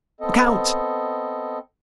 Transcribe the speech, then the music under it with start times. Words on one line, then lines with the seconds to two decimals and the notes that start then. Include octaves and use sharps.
"Look out!"
0.21 B3 C4 A4 D#5